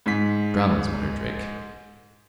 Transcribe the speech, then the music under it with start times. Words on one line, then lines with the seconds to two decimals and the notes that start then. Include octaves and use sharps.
"Drums?" muttered Drake.
0.06 G#2 B6